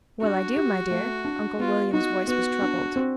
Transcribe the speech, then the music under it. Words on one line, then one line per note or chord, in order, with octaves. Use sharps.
"Well, I do, my dear." Uncle William's voice was troubled.
D4 F#4
G4
A3
D4
B3 F4
D#4 F#4
B3 F#4
D4
C4